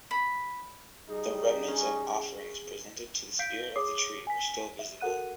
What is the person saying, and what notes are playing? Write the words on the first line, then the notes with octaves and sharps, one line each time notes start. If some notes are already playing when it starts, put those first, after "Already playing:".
The remnants of offerings presented to the spirit of the tree were still visible.
B5
G3 D#4 G#4
C#4
F5 G6 B6 C7 D7
G#4 C#5 D6 D#6 C7
G#5 B6
E5
F#4 A4 A#4 F#5 F#6 D#7